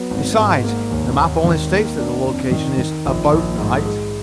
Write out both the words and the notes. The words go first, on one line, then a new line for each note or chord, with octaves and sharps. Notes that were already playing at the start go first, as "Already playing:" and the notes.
Besides, the map only states that the location is 'about' right.
Already playing: F#3 B3
G#1
G#2
A#3
D#2
D#2
D#3
A#3
D4
F2
D#3
D#3
A#1
A#1
G#2
G#3